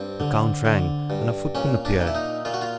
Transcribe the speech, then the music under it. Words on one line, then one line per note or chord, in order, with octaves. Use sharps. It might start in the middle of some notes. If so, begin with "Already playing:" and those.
The count rang, and a footman appeared.
Already playing: G2 C4
D3
D3
G2
A#2 C#4
D4
A#2
E4
D#4
A#2 F4
F#4
F4